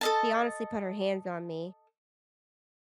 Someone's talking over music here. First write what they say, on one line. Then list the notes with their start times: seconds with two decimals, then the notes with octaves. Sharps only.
She honestly put her hands on me.
0.01 A4 D#5 A5